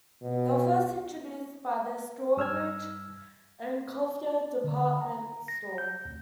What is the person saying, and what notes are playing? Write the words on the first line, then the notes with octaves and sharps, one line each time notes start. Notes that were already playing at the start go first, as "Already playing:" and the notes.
They were first introduced by the Strawbridge and Clothier Department Store.
B2
G2 E6 F6 G#6
D3
A#5
A#6
G6
D2